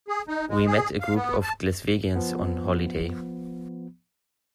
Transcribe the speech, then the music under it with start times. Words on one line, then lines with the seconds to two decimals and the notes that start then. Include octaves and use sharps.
We met a group of Glaswegians on holiday.
0.08 G#4
0.28 D#4
0.48 G#3
0.66 G#4
1.00 F5
1.14 B3
1.43 A5
2.16 F3 B3